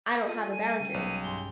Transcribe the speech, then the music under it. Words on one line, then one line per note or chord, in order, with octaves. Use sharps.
I don't have a boundary.
G6
F4 A4 D#7
G3 G#3 A4 G#5 D#7
C#3 G5
B1
G2 G#5 C6 G7